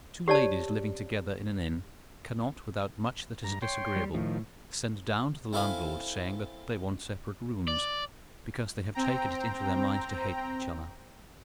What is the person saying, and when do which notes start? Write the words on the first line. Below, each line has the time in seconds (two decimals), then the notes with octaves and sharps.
Two ladies living together in an inn cannot, without much that is disagreeable, send down to the landlord saying that they want separate rooms, because they have taken it into their minds to hate each other.
0.28 G4 C#5 D5 A5
3.44 G2 A#5
3.62 C#5 G5 C6
3.96 G3
4.14 A2 D#3 F3
5.53 C4 E4 A4 E5 F5 G#5
7.68 D5
8.95 C4 G5 A#5